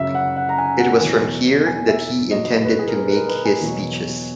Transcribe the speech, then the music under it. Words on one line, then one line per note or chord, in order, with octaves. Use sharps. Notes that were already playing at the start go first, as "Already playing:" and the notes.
It was from here that he intended to make his speeches.
Already playing: F#2 C#3 F#3 E5
F#5
F#5
A#5
G#5
F#5
E2 B2 F#3 G#5
G#5
E5
A#2 F#3 D#5
B4
G#4
A#4
B4
B4
A#4
B4
G#5
E2 B2 F#3